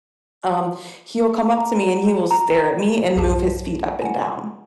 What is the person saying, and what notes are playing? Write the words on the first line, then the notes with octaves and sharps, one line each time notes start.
um, he'll come up to me and he will stare at me and move his feet up and down.
A#5
A#5
B1 E2 G2 G4 G#4 A5
F#5 G#5